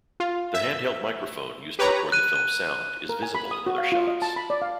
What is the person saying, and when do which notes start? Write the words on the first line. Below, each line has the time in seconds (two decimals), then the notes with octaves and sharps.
The handheld microphone used to record the film's sound is visible in other shots.
0.20 F4
0.54 E5
1.79 G4 B4 C#5 A#5
2.12 F#6 D#7
2.35 D#7
3.09 A#4
3.23 G#5
3.35 B5
3.51 D#6
3.66 F#4
3.78 F5
3.92 F4
4.07 D#5
4.22 A5
4.36 B5
4.50 D5
4.62 F5